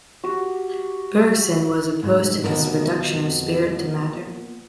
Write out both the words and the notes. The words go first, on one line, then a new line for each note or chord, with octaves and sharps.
Bergson was opposed to this reduction of spirit to matter.
F#4 G4
F1 G#2
D#2 B2 D3 B3 A#4
F2
A#2